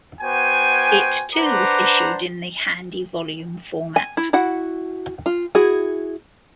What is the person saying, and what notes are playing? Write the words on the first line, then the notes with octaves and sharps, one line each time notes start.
It too was issued in the "Handy Volume" format.
B3 F#4 C5 G5 G#5
D4 B4 C5 F#5 A#5 D6
G#5
E4
E4 F#4 F#5
F4
E4 F#4 G#4